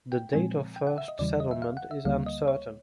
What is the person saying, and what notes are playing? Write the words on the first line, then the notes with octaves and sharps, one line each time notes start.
The date of first settlement is uncertain.
G5
A#2 F3 G#3 C4 G#5
G5
F#5
E5
D#5
E2 C#3 E3 G3 D5
D#5
E5
F5
F#5
E5
D2 D3 G3 A#3 F5
D#5
C#5